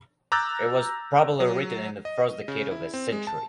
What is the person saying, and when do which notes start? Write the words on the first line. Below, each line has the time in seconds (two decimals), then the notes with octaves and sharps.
It was probably written in the first decade of the century.
0.32 A#5 D6 E6 F#6 G6 A6
1.40 F#3
2.05 D#5
2.48 C#3
2.71 E4
2.94 C4
3.12 G#3
3.27 A5